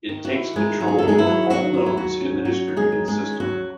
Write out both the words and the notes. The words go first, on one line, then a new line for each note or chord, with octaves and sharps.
It takes control of all nodes in the distributed system.
D#3
F#4
E4
D#3 G#3 G#4
F#3
G#4
D#3 A4
G#3 G#4
E4
F#3
F#3 F#4
D#3
E4
F#3 F#4
C#4
F#3 F#4
D#3
G#3 G#4
D#3
G#3 G#4
C#4
F#3 F#4